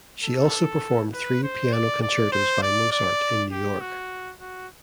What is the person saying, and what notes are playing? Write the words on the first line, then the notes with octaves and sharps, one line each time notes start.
She also performed three piano concertos by Mozart in New York.
A4
B4
C5
D5
D5
C5
D5
D5
G4
F#4
F#4